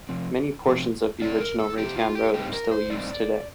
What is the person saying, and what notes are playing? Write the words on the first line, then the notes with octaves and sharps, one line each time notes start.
Many portions of the original Raytown Road still are used today.
C3 F3 C4
C3 F3 C4
C3 F3 C4 D5
A#4
A4
C3 F3 C4 G4
F4
G4
A2 G3 C4 D#4 G4
A#4
C5
A2 G3 C4 D#4 D5